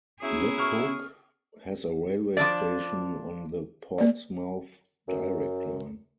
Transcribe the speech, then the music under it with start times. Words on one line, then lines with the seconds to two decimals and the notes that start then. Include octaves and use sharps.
Liphook has a railway station, on the Portsmouth Direct Line.
0.21 F#3 B3 C#4 E4 G#4 C#5
0.58 C#6 F6
2.37 F3 D4 D5
3.98 A#3 D5
5.08 F#2